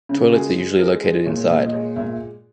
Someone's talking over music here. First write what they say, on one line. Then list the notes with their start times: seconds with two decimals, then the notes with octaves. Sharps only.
Toilets are usually located inside.
0.09 C#3
0.29 F#4
0.32 G#3 G#4
0.56 G#3
0.79 G#3 A#4
1.03 G#3
1.25 A#2 C#5
1.49 A#2 B4
1.65 D#5
1.72 G#3 C#5
1.96 A#2 E5